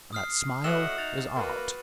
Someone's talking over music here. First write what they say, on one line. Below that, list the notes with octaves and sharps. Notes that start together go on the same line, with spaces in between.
And that smile is art.
D#6 F6 C7
A2 F#4 D#5 E5 F#5 E7
D#4 A6
A#3 F#4 B4